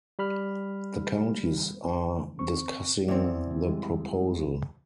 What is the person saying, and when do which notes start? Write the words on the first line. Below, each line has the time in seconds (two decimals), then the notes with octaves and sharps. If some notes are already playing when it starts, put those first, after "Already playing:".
The counties are discussing the proposal.
0.19 G3 B5 F6
2.39 C4 C#6
3.08 E2 C4 D5
3.67 G3 G#3 G4